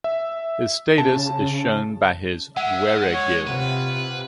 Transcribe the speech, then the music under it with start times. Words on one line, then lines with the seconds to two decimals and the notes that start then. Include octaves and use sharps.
His status is shown by his "weregild".
0.04 E5
0.98 C#3 A5
2.57 G#3 E5 F#5
3.14 C#5
3.47 C3 F4 B4